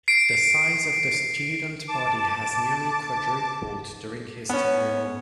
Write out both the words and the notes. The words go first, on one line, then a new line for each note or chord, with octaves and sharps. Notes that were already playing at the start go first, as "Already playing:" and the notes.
The size of the student body has nearly quadrupled during his tenure.
C7 D7
A5 D6
B3 C#4